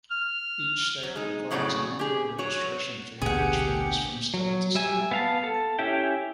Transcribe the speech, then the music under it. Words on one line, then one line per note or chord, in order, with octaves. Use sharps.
Each state requires an annual registration fee which varies from state to state.
F6
F#3
G#3 D#4
F2 A2 C#3 F#3 F#4 D5
G4 G#4
F#3 F#4 C#5
A1 D2 G2 B2 G4 G#4 F#5 C#7
F#3
G3 E5 G#5
B3 F5 A5
A4
C#4 E4 G4 E5 G5